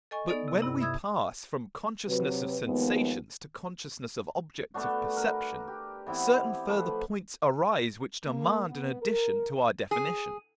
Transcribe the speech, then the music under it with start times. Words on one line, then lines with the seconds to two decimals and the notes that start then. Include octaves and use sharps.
But when we pass from consciousness of sensations to consciousness of objects of perception, certain further points arise which demand an addition to our definition.
0.11 A4 D#5 G#5 C#6
0.29 B3 D#4 A4 D5
0.48 C3
0.62 G2 C3 E4
0.81 E5 B5 D#6 E6 G#6
2.08 C3 F#3 B4
2.64 D#2 F3 G#3 B3
4.74 A3 B3 D4 F#4
5.17 A#4 B4
5.68 G4
6.06 E3 B3 C4 E4
6.68 F3 A3 B4
8.27 A#3
8.69 B3
9.02 A#4
9.91 G#4